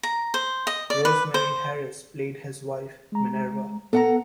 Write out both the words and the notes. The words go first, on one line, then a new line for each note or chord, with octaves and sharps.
Rosemary Harris played his wife, Minerva.
A#5
C5
D#5
D5
B4
C5
G#3 A#5
B3 A4 F#5 A#5